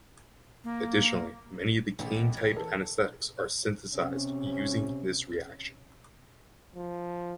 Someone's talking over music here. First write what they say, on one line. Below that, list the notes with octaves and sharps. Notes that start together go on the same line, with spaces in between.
Additionally, many of the "caine"-type anesthetics are synthesized using this reaction.
A#3
A1 B2 A3
A#4 C#5
E3 A4
C3 C#4
F3